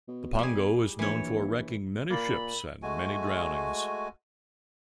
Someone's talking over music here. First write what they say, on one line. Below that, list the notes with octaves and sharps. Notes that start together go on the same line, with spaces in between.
The pongo is known for wrecking many ships and many drownings.
B2
G3 G#4
A#1 E3 C#5
A#2 A#3 A#4 B5 A6
G#3 A3 F#4 G#5